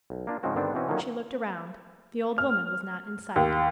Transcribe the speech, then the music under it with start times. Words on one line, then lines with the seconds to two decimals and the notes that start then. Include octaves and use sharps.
She looked around. The old woman was not in sight.
0.10 B1
0.27 A#3 D4 F4
0.43 G#2 C#3 F3 G#3 C4 F#4
0.55 G2 D3 D#3 B3 C4 D4
0.74 B2 E3 C4 C#4
0.88 D3 D#3 F3 F#3 A#3 C#4
2.38 F6
3.36 D#2